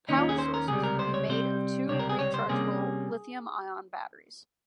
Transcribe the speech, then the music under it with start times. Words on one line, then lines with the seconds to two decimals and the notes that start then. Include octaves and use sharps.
Power sources will be made of two rechargeable Li-ion batteries.
0.09 D#2 D#3 A#3 C#4 D#4
0.18 F4
0.29 G#4
0.38 C5
0.54 A#4
0.68 C#2 C3 G3 G#4
0.84 A#4
0.99 C5
1.14 C#5
1.29 C3 G3 C4 C5
1.89 C#2 C3 G3 C4 C#5
1.99 A#4
2.09 G#4
2.19 C#5
2.34 C5
2.49 C3 G3 A#3 C#4 G#4